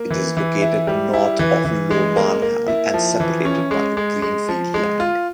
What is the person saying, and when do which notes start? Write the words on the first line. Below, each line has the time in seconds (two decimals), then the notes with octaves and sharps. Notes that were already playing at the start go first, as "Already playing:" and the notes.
It is located north of Low Marnham and separated by greenfield land.
Already playing: A#3
0.10 E3
0.37 E3
0.62 E4
0.87 G3
1.14 E4
1.39 E3
1.65 E3
1.91 G#3
2.16 A#3
2.42 A#3
2.68 E4
2.94 F3
3.20 E3
3.45 C#4
3.71 G#3
3.97 G#3
4.22 G#3
4.49 F3
4.74 G#3
5.00 F4